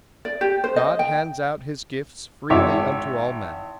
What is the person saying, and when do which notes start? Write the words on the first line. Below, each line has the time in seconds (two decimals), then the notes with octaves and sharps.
God hands out His gifts freely unto all men.
0.25 D5
0.41 G4
0.64 C5
0.76 D#5
0.99 G5
2.50 G#1 E4 C#5 E5 D6